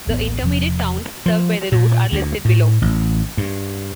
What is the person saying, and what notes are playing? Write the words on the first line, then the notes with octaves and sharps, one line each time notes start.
The intermediate towns served by the route are listed below.
D1 A1 B3
E1 C3 F3
F3
A#2
D2
A2
A1
G2